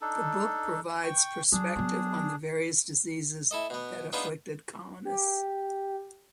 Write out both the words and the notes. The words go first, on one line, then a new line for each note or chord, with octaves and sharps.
The book provides prospective on the various diseases that afflicted colonists.
D4 D#4 A4
G5 C#6
F#3 D4 G#4
F#3 B3
E4 A4 D#5
B2 B3
B3 D4 D#4 F4 G#4 B4
G4